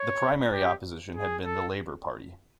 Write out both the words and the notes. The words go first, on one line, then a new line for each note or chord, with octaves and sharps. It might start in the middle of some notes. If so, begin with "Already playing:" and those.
The primary opposition had been the Labour Party.
Already playing: C#5
G4
G#4
A4